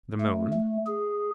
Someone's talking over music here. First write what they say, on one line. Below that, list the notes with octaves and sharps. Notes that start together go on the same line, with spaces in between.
"The moon."
A3
A3
G#4